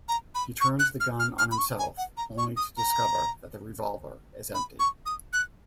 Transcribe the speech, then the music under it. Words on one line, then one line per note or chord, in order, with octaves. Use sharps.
He turns the gun on himself, only to discover that the revolver is empty.
A#5
B5
C#6
F#6
F6
F6
F6
B5
C#6
G#5
F#5
A#5
C#6
D#6
A#5
B5
C#6
D#6
F#6